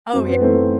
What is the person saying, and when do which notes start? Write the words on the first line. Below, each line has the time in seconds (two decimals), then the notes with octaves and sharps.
Oh ye
0.13 F#2 C4
0.27 B3
0.40 E3 A3 C4